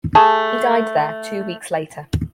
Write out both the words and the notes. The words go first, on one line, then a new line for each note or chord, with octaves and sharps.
He died there two weeks later.
A3 G#4 A5